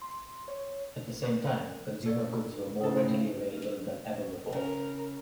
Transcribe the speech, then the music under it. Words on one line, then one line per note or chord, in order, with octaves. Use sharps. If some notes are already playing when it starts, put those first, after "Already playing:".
At the same time, consumer goods were more readily available than ever before.
C6
C#5
A4 C#5 D5
A2 C#3 G#4 A4
C#3 A#4